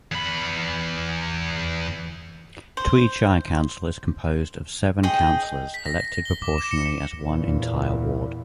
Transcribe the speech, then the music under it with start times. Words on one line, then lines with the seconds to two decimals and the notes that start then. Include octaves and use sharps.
Tweed Shire Council is composed of seven Councillors elected proportionally as one entire ward.
0.12 E2 B5
2.77 C5
5.03 G#4 D#5 G5
5.74 B6
5.86 A#6
6.00 A#6
6.14 A#6
6.25 G7
6.42 D6
6.58 E7
6.71 C#7
7.20 E2 A#2